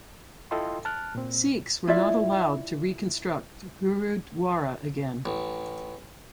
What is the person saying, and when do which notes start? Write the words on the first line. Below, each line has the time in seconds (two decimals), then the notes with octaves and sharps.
Sikhs were not allowed to reconstruct Gurudwara again.
0.51 E4 F4 A4 D#5 G5 C6
0.85 A5 F6 F#6
1.15 A#2 C4
1.87 E4 F4 D5 E5
5.25 A1